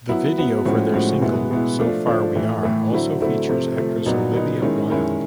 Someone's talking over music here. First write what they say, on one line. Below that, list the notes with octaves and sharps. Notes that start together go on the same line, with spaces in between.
Their video for their single "So Far We Are" also features actress Olivia Wilde.
F#3 B3 E4
F#3 B3 E4
A2 F3 G#3 C#4 F#4
A2 F3 G#3 C#4 F#4
B2 G#3 B3 E4
B2 G#3 B3 E4
F3 A3 D4 F4
F3 A3 D4 F4
A2 E3 A3
A2 E3 A3
D3 F#3 A3 C4 E4
D3 F#3 A3 C4 E4
C3 F3 A3
C3 F3 A3
A#2 F#3 B3 D#4
A#2 F#3 B3 D#4
D#3 G#3 C#4 E4
D#3 G#3 C#4 E4